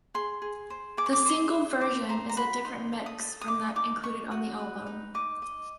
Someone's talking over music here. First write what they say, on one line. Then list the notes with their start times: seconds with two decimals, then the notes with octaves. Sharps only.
The single version is a different mix from that included on the album.
0.14 G#4 C6
0.42 G#4
0.70 C5
0.97 G#4 D6
1.06 C#6
1.13 D6
1.26 C5
1.53 C5
1.81 C5 D6
2.09 C5 A#5
2.29 A#5
2.37 F#4 B5
2.65 D#4 C6
2.93 A4
3.06 D#6
3.20 A4
3.41 D#6
3.48 D#4 D6
3.76 D#4 D6
4.03 D#4 C#6
4.31 F#4 D#6
4.59 B4
4.87 D#4
5.14 D#5 D6
5.42 D#5